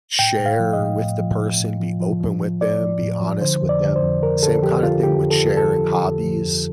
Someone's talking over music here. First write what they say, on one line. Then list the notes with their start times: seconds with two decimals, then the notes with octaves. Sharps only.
share with the person, be open with them, be honest with them. Same kinda thing with sharing hobbies,
0.19 A2 G5
0.39 A2
0.46 F5
0.60 F3
0.73 D#5
0.80 A2
1.00 A2
1.20 F3
1.40 A2
1.60 A2
1.80 F3
2.01 F3
2.21 F3
2.41 F3
2.61 A2 D5
2.81 F3
3.02 A2
3.22 F3
3.41 D3 C5
3.63 F2
3.69 D5
3.82 D3
3.96 C5
4.03 F2
4.23 F2 A#4
4.43 D3 A4
4.63 F3 G4
4.83 D3 F4
5.03 D3 G4
5.23 F2
5.31 A4
5.43 F2
5.57 A4
5.64 F3
5.84 F3
6.04 F2
6.25 F3
6.45 F2